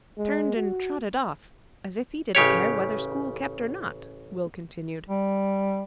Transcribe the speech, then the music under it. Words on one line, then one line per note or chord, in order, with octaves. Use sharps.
"Turned and trotted off, as if he didn't care whether school kept or not," Will continued.
G#3
F#4
A1 C#3 G4 C#5
G3